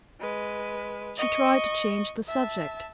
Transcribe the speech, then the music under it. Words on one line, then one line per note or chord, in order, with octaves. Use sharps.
She tried to change the subject.
G#3 B4
D#5 C#6
E5 A5